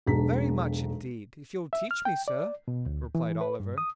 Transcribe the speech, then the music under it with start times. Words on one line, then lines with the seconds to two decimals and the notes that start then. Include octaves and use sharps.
'Very much, indeed, if you'll teach me, sir,' replied Oliver.
0.06 E1 B1 D4 A#5 B6
1.73 E5
1.91 F6
2.05 G5
2.28 D5
2.68 B2
2.86 D2
3.15 E3
3.41 B4
3.60 G2
3.78 D#6